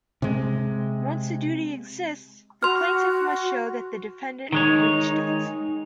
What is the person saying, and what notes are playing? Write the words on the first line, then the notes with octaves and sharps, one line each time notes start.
Once a duty exists, the plaintiff must show that the defendant "breached" it.
C3 G#3
F#4 C6 F6
D#3 G#3 D#4 C#5